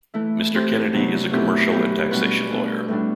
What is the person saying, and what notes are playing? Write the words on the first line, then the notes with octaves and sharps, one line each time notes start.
Mr Kennedy is a commercial and taxation lawyer.
E3 A3 E4
A3 C4 G4 C5
C3 F#3 B3 D4
B2 A3 C4 E4 G4
F#3 B3 E4 G4 B4
B2 G3 D4 F#4 B4
B2 A3 D4
A2 G3 D4 F#4